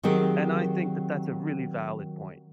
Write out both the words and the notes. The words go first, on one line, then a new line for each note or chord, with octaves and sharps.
And I think that that's a really valid point.
D#3 F#3 C4 G4 G#4 A#4